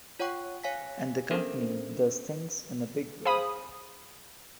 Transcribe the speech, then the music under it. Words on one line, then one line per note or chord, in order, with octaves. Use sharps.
And the company does things in a big way.
F4 C#5 F#5 G5 C#6
C#5 F5 G#5 B6
B3 C#4 D4 A4 A#4 C5
G#4 C5 F5 B5 D#6